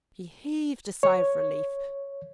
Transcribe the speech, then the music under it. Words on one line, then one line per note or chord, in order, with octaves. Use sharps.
She heaved a sigh of relief.
C#5